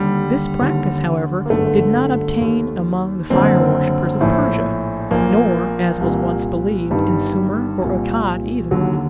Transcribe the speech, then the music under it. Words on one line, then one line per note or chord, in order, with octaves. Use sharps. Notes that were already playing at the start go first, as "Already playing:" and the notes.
This practice, however, did not obtain among the fire worshippers of Persia, nor, as was once believed, in Sumer or Akkad either.
Already playing: D#2 D3 G3
D#2 D3
A#3
G1 F#2 D3 A3
D#2 D#3
F#1 F#2 D3 C4
A#1 A2
A#1 A#2 A#3
C2 A#2
G1 G2 D#3 G3
C2 A#2
D#2 D3 F#3